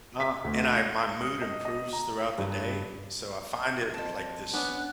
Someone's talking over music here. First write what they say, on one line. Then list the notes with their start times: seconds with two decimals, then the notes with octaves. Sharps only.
uh, and I my mood improves throughout the day, so I find it, like, this
0.20 B6
0.44 D2
0.76 A#6
1.21 D#6
1.42 D#5
1.65 D#5
1.93 A#5
2.38 G2
3.94 F2 C5 A5
4.53 B3 C#4 D4 F#6